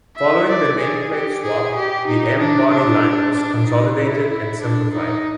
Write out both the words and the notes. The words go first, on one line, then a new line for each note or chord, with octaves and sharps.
Following the nameplate swap, the M-body line was consolidated and simplified.
E5
D5
G#4
G4
G#4
G4
D#4
D4
D4
D4
D#4
E4
D4
D#4